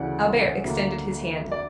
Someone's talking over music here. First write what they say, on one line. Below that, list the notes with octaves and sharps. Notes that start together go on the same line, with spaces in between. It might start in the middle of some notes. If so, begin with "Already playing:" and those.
Albert extended his hand.
Already playing: D2 C#3 E3 D5 F#5
D2 D3 A#3
D5